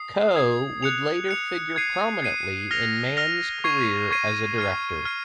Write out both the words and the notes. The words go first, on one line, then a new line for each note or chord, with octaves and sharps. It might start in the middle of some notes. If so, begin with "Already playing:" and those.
Coe would later figure prominently in Mann's career as a director.
Already playing: D#6 C7
D#6 G#6 C7
F#6 C#7 F7
F#6 C#7 F7
G#6 C7 D#7
G#6 C7 D#7
F6 A#6 F7
F6 A#6 F7
C#6 G#6 C7 D#7
C#6 G#6 C7 D#7
F6 G#6 C7
F6 G#6 C7